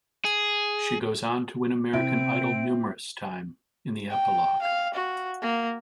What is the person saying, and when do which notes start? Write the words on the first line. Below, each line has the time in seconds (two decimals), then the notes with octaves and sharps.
She goes on to win American Idol numerous time in the epilogue.
0.25 G#4
1.94 C3 C4 E4 D7
4.10 G5
4.62 F5
4.94 F#4
5.42 A#3